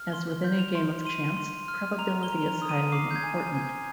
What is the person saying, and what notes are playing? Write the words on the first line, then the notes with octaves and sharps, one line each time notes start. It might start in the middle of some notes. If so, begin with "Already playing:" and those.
As with any game of chance, probability is highly important.
Already playing: F6
C6 G7
G6
F7
C6
C6 D#7
C6
F6
A#5 F7
G7
A#5
F7
D#6
D#7
D6 C7
G6
G#6
G#5
G#6
G#5 G6
G#6